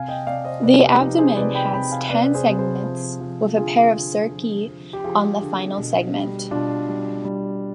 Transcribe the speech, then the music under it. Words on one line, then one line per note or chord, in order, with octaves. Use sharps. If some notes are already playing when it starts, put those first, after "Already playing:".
The abdomen has ten segments, with a pair of cerci on the final segment.
Already playing: C3 F5 G#5
D#5 G5
C3 D5 F5
C5 D#5
C3 B4 D5
G4 B4
F3 D#4
G#4 C5
C3 B4 D5
G5 B5
C3 G5 B5
F5 G#5
C3 B4 D5
G#4 C5
C3
G#4 C5
F3
F3
D3 F4 G#4
D3
F3
F3
G4
F3 F4 G#4
D3
B2
G3
B2 D4 F4
G3
G3